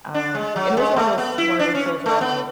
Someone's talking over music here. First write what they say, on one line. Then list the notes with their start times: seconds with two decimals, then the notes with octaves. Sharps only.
Um, and it was one of those one of those shows where I'm like,
0.14 D4
0.35 G#3
0.56 F#3
0.77 G#3
0.96 A3
1.18 B3
1.38 E4
1.59 D4
1.75 C#4
2.06 A3
2.21 B3